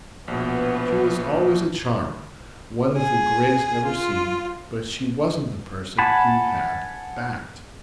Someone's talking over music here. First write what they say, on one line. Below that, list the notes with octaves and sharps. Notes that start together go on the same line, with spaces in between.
She was always a charmer, one of the greatest ever seen, but she wasn't the person he had "backed."
A#1 B2 B3
G#4
F4
F#5 G#5 A5 B5